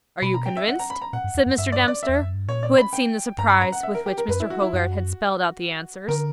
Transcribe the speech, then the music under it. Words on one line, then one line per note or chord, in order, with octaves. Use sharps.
"Are you convinced?" said Mr. Dempster, who had seen the surprise with which Mr. Hogarth had spelled out the answers.
B2 B5
A#5
G5
E5
F#5
A#5
B5
A#5
A#2 F#5
G2
E2
F#2
G2 E5
D5
D5
E5
E2
F#2
G2
A#2 C#5
D5
B5
G5
G2 A#5
B5
A#5
F#5
E5
A#4
G4
A#4
F#2 B4
E4
F#4
E4
F#2 F#4
D3 A#4